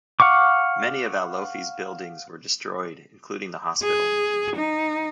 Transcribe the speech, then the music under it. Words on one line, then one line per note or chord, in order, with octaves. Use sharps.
Many of Alofi's buildings were destroyed, including the hospital.
F5 F#5 C#6 D6
G#4
D#4